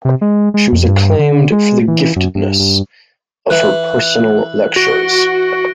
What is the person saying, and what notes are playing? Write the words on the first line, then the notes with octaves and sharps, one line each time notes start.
She was acclaimed for the giftedness of her personal lectures.
C3
G#3
G#3
F2
G2
D3
G#3
E3
F#2
G2
G2
E3 F#6 F#7
F#4 A#6 D7 G7